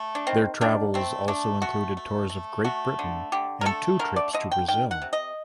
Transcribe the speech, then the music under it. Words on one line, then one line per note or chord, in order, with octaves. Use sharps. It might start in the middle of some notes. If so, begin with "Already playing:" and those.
Their travels also included tours of Great Britain and two trips to Brazil.
Already playing: A3
D4
D#3 C4
D#3 D4
A3 C4
A3 D4
A3 F#4
A3
A3
A3 F#4
D3
D3 G4
A#4
A3 A4
D3 A#4
D5
D3 D#5
G5
D#3 G5
F#5
C3
D#5